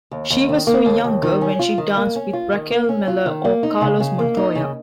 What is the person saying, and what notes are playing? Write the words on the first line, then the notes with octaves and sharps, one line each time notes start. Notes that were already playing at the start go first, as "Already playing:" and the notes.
She was so younger when she dance with Raquel Meller o Carlos Montoya.
D#2
D#2
D#3
A#3
D#2
D#2
D#3
C#4
F4
D#3
A#3
C#4
F4
D#3
A#3
C#4
F4
D#3
A#3
D#4
C#3
C#3
A#3
D#4
C#3